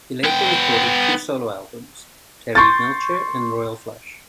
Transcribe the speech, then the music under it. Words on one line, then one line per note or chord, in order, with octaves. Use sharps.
He later recorded two solo albums, "Terry Melcher" and "Royal Flush".
B3 G5
C6 C#6 G6 A6